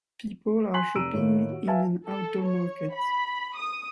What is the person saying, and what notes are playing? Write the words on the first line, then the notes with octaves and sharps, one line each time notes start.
People are shopping in an outdoor market.
G#5 C6 F#6 B6 C7 F#7
F1 A#5 E6 D7 D#7
A2 D#3 A#3
F#4
B4 E5 F5 G#5 A5
A4
C#5
B5
D#6